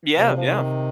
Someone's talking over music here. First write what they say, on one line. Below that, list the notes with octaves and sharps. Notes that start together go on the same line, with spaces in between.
Yeah, yeah.
C3 F3
G3
F3
D#3